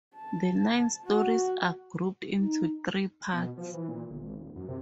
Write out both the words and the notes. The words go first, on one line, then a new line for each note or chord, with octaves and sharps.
The nine stories are grouped into three parts.
A5
F#4
D#4
B2
F3
E3
A#2
G1
G#1
D#1
F#2
C3